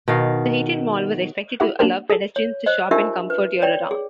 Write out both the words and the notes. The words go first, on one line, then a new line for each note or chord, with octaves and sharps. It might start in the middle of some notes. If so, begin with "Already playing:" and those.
The heated mall was expected to allow pedestrians to shop in comfort year-round.
B2 D#3 F5
E4 F#4 G4 E5 F#5
A#3 D4 G4 A#4 C5
G#4 A4
C#5
C5 D#5
D4 D#4 F4 G4 A#4 E5
B4
C#5 D5 G5
G#4